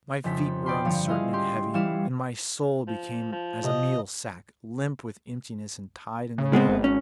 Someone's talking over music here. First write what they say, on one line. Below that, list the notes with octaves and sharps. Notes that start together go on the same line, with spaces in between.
My feet were uncertain and heavy, and my soul became as a meal sack, limp with emptiness and tied in the middle.
F1 F2 C#3 B6
D5 G5 B5 C6
G2 D3 F3 C#5
E4 F4 G#4 D#5 F5
C#4 G4 C6
E3 G3 E4 C#5 F5 E7
F3
F3
C3 D#5
C#3
G#3 B3 C4
G#1
C#4